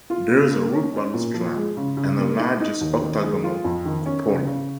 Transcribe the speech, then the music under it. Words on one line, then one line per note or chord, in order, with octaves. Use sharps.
There is a roof balustrade and a largish, octagonal cupola.
F4
C#3
A#3
C#4
C#4
A#2
F3
G#3
C#3
C#3
A#3
D#4
D#4
D#2
D#3
G#3
F4
F2
D#3
C#4
C#3
C#3